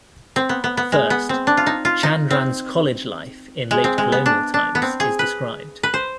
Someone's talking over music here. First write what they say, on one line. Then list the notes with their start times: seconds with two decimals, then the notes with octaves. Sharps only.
First, Chandran's college life in late colonial times is described.
0.36 C4
0.49 B3
0.64 B3
0.77 B3
0.92 G#3
1.10 B3
1.29 C4
1.47 D4
1.57 F4
1.66 D#4
1.85 F4
2.03 D#4
2.31 C4
3.71 G#3
3.84 C4
3.98 G#3
4.12 B3
4.26 D4
4.54 D4
4.75 B3
4.82 C4
5.00 G#4
5.19 B4
5.83 B4
5.94 C5